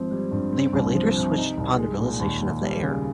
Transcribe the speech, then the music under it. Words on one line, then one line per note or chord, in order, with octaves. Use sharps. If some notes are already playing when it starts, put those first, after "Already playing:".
They were later switched upon the realization of the error.
Already playing: G#1 F3 C4
G3
G2
C4
C2
F3
C3
D#4
C2
G#3
A#2
D#2
D#2
G3
C#3